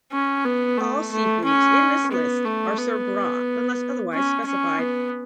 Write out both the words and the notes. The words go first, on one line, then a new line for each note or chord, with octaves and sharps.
All seafoods in this list are served raw unless otherwise specified.
C#4
B3
A3
A3
C#4
B3
A3
B3
C#4
C#4
B3